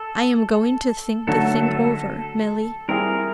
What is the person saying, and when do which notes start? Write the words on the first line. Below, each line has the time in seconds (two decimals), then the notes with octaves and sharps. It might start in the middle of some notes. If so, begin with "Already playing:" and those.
I am going to think the thing over, Milly.
Already playing: A4
1.27 D3 F#3 A3 A4
2.88 G3 C4 E4 G#4 A#4